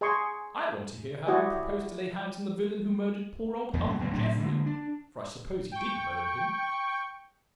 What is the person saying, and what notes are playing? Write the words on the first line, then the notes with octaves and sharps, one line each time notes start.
"I want to hear how you propose to lay hands on the villain who murdered poor old uncle Jeffrey--for I suppose he did murder him?"
G#4 D#5 G#5 C6 C#6
E4 F#4 G4 D5 D#5 G#5
E2 G2 G3 B3
F#2 F#3 G#3 C#4
C#2 F#2 A2 C3
A2 C3 F#3 D4
D3 E3 G#3 A#3
D4
G5 C#6